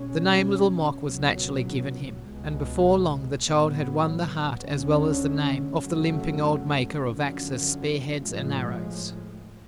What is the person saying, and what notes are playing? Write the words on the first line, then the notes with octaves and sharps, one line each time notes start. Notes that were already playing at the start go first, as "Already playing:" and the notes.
The name Little Mok was naturally given him, and before long the child had won the heart, as well as the name, of the limping old maker of axes, spearheads and arrows.
Already playing: B2 G#3 C#4
C#2 B2 F#3
C#2 B2 G#3
A2 F#3 B3
D2 D3 G#3 C#4
F#2 C#3 F#3 A3
F#2 D3 F3
A2 F3 G#3